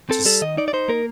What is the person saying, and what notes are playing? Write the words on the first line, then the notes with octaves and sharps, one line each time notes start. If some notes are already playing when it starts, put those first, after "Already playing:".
to s
C4 A4
G3 A4
D#3 D#5
D#4 D5
D5
D#4 C5
A#3 A#4